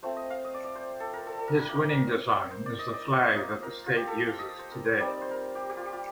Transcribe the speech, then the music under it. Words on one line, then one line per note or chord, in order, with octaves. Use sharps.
His winning design is the flag that the state uses today.
A3 C4 F4 C5
D#5
F5
D#5
D5
D5
C5
A4
A#4
A4
A4
A#4
A#4
A#3 D#4
C5
D5
D#5
D5
A#3 F4 D#5
C5
A#4
F4
G4
A4
F5
D#5
C5
A#4
C5
G3 C4 D#4 D5
C5
A#4
G4
G4
F4
F4